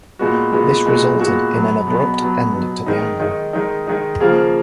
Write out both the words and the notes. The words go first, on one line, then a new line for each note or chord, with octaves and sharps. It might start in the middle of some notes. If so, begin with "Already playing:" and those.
This resulted in an abrupt end to the angle.
A#2 G#3 B3 F#4
A#2 G#3 B3 F#4
A#2 G#3 B3 F#4
A#2 G#3 B3 F#4
B2 F#3 B3
B2 F#3 B3
B2 F#3 B3
B2 F#3 B3
D#3 G#3 D#4
D#3 G#3 D#4
D#3 G#3 D#4
D#3 G#3 D#4
C#3 F3 A#3 F4 G#4